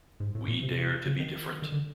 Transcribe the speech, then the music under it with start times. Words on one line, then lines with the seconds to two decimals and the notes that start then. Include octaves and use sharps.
We Dare to Be Different.
0.20 G#2
0.35 A2
0.48 A#2
0.63 C3
1.05 C#3
1.20 D#3
1.62 D#3
1.72 D3